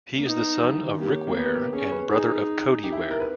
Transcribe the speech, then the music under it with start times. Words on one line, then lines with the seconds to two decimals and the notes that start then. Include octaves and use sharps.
He is the son of Rick Ware and brother of Cody Ware.
0.18 A#3
0.26 B3 D#4
0.58 G3
0.63 E3
0.81 D#3
0.99 A#3 G4
1.09 C#4
1.27 A#3
1.36 B3 G4
1.55 G4
1.73 C#4 G#4
1.91 B4
2.10 D#4 G#4
2.84 G4
2.92 E4
3.11 A#4
3.20 B4